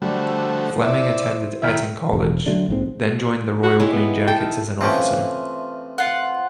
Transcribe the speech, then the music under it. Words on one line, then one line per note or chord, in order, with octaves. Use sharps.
Fleming attended Eton College, then joined the Royal Green Jackets as an officer.
D3 F3 G3 A3 F#4
E4 C5 D5 E5
D#3 E4 E5 F6 B6
E1
D3 F#3 A3 D4
A#1 G#2 C4
F#4
G#3 E4 G4 C#5
B3
A4 G5
D#3
C3 E3 F3 A3 C4 C#4 G5
F4 F#5